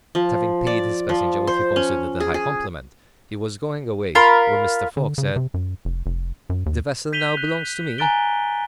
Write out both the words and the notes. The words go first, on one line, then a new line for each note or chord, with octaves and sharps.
And, having paid his passenger what he considered a high compliment, he was going away, when Mr. Fogg said, "The vessel now belongs to me?"
F3
D5
F3
C5
C#4
G#4
G#4
F4 A#4 B5
D3
C#3
C3
F#2
F1
F1
F#2
D#2
G6 B6 D#7 F7 G7
F#6
G#5 A#5 F#6 A6 D7 G7